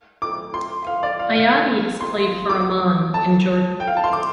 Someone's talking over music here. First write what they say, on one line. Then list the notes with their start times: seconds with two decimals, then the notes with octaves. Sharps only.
Ayadi has played for Amman in Jordan.
0.22 D6
0.54 C6
0.87 F5
1.03 D5
1.19 F5
1.35 F5
2.01 C6
2.49 D6
3.14 A5
3.80 G5
3.87 F5
3.97 A5
4.04 C6
4.13 D6